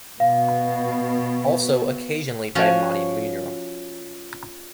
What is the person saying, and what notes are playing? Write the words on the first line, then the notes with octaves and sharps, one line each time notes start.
Also, occasionally by Monty Munro.
B2 F5
F3 C#4 F#4